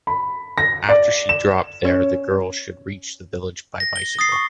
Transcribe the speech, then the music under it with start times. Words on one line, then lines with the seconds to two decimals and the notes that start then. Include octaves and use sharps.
After she drop there, the girl should reach the village by bicycle.
0.07 B5
0.58 A#6
0.89 D5
1.29 E7
1.85 C#4
3.80 A#6
3.96 G7
4.19 D#6 A6 C7
4.32 C#6